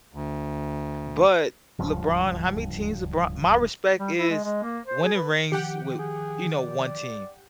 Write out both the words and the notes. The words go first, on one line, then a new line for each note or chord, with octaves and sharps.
But LeBron, how many teams LeBron my respect is winning rings with you know, one team.
D2
D1 C#2 G2 F3
G3
E4
G#3
G#3
A#3
C5
G#4
B4
D#3 F3 G4 F#5 G5
G#4
D5